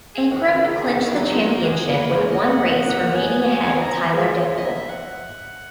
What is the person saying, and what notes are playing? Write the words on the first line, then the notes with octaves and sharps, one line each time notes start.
Ankrum clinched the championship with one race remaining ahead of Tyler Dippel.
G#4
D#3 F#4
D#3 B3
C#3 A#3
A#4
G#4
D#3
F#4
E4
F#3 D#4
G#3
F#4
A#3
F#4
B3 G#4
A#3 B4
G#3 C#5
A#3 D#5
G#5
B3 F#5
B3
A#3
B3 G#5
G#5
B3 G#5
A#5
G#5
G#3 E5
C#5
D#5
E5
F#5